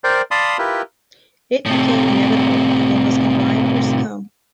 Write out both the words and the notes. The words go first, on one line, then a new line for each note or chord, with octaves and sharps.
It became inevitable that they must combine or succumb.
A#4 C5 D5 G5
D5 F5 A5 B5 C6 D#6
E4 F4 G4 A#4 B4
A2 C3